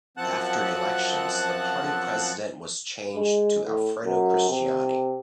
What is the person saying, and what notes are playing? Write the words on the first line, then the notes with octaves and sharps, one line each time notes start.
After elections, the party president was changed to Alfredo Cristiani.
F#2 F3 C4 F#5 A5 F#6
G#3
A2
F#2
C3